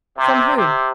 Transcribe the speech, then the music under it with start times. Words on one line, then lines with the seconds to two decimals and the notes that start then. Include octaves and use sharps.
"From whom?"
0.17 C3
0.56 C3